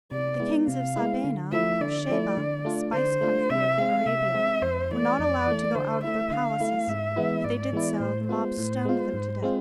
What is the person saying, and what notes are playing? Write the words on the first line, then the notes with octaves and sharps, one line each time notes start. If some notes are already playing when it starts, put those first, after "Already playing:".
The kings of Sabaea or Sheba, the spice country of Arabia, were not allowed to go out of their palaces; if they did so, the mob stoned them to death.
C3 D5
G#3 B3 E4
C3 F5
G#3 B3 E4
D3
F3 A3 E4 E5
D3 D5
F3 A3 E4
D3
A3 D4 F4
D3 C5
A3 D4 F4
C3 E5
G#3 C4 F5
C3 E5
G#3 C4
F2 C5
E3 A3 D5
F2
E3 A3
D3 C5
A3 E4 E5
D3 F5
A3 E4
G#2 E5
E3 G#3 B3 E4
G#2 D5
E3 G#3 B3 E4
A2 C5
G#3 B3 F4 C5
A2
G#3 B3 F4
G#2
G#3 C4 F4